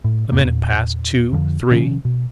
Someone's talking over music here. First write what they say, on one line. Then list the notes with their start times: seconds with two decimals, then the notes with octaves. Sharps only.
A minute passed--two--three.
0.04 A2
0.32 E2 G#2 C3 A#3
0.44 E2 A#2
1.32 F2 D3 E3 F3
1.72 C3 D#3 F3 C#4
2.05 B2